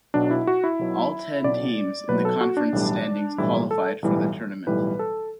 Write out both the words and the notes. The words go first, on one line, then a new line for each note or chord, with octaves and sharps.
All ten teams in the conference standings qualified for the tournament.
B1 B2 F#3 D4
E4
F#4
E4
B1 B2 F#3
B1 B2 F#3 D5
B1 B2 F#3 B4
A4
F#4
D4
B1 A2 E3 G3
B1 A2 E3 G3 E4
A4
B1 A2 E3 G3
B1 A2 E3 G3 B4
A4